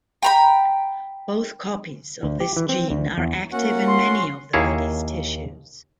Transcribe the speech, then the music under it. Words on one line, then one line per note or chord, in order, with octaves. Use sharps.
Both copies of this gene are active in many of the body's tissues.
G5 A#5 B5
D2
G4
E3
C4
D2
E2
A#3 C#4 F#4 F#5
C6
D#2 A#3 E4 G#4 C#5